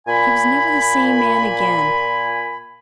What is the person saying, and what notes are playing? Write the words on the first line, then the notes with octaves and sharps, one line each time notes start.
He was never the same man again.
A#2 G#5 B5